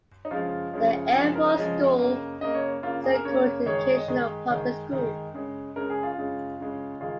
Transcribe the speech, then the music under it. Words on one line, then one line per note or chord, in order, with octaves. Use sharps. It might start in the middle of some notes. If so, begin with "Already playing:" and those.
The Air Force School is a co-educational public school.
D#4
C#3 F3 G#3 F4
C#3 F3 G#3
C#3 F3 G#3
A#4
D#5
C#3 F3 G#3
C#3 A#3
C#3 A#3 D#5
C#5
C#3 A#3 F4
G#4
A#4
C#3 A#3 C#5
D#3 G#3 C#5
C#5
D#5
D#3 G#3
D#3 G#3
D#3 G#3
C#3 G#3
C#3 G#3 A#4
G#4
F4
C#3 G#3
C#3 G#3
D#3 G#3 F4